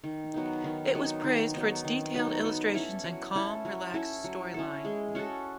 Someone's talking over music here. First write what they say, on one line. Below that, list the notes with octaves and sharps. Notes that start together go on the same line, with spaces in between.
It was praised for its detailed illustrations and calm, relaxing storyline.
D#3
F#3 B3 D#4
D#3
F#3 B3 D#4
D#3
F#3 B3 D#4
D#3
F#3 B3 D#4
F#3
C#4 E4 A4
F#3
C#4 E4 A4
F#3
C#4 E4 A4
F#3
C#4 E4 A4
G#3
C#4 F#4 A4